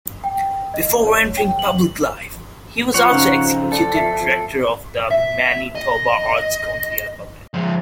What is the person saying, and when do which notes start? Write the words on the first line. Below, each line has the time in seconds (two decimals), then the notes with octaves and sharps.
Before entering public life, he was also executive director of the Manitoba Arts Council.
0.24 G5
0.74 D#5
1.06 C#5
1.37 G5
1.59 F#7
2.94 F3 C#5 F#5
3.11 F2 C#3 D#4
3.72 A4 D5
3.95 E5 B6 C7
5.11 E5
5.75 D#5
7.54 F3 G#3